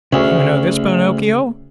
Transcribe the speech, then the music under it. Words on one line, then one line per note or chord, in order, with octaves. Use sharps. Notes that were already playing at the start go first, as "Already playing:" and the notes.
"Do you know this Pinocchio?"
D2 C#3